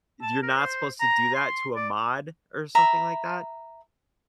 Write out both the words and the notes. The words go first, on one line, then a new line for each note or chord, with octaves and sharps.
you're not supposed to do that to a mod or something like that.
A5
A#4
C5
A#5
C6
D5
E5 A#5 B5